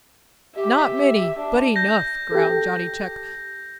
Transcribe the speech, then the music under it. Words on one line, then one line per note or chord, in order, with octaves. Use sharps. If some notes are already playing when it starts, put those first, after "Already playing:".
"Not many, but enough," growled Johnny Chuck.
G4 E5
D4
G6 A#6
G4 A4